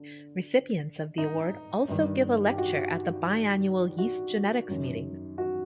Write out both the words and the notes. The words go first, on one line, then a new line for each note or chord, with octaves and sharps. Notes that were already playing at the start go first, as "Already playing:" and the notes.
Recipients of the award also give a lecture at the biennial Yeast Genetics Meeting.
Already playing: D3
D#4
G2 D#3
G4
F#4
F#4
F#2 D#3
F#4